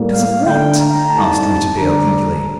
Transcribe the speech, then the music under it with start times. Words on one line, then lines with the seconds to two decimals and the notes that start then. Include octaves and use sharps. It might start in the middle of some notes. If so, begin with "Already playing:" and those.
"Because of what?" asked Rouletabille eagerly.
Already playing: A2 G3 A#3
0.13 F5
0.45 D3 A3 D4 G5
0.77 A#5
1.09 A2 G3 C4 D#4 A5
1.74 D3 G3 D4 A#5